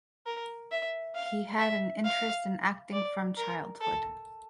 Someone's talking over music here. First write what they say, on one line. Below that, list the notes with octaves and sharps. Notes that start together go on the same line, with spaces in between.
He had an interest in acting from childhood.
A#4
E5
F5
E5
F5
D5
A#4
A4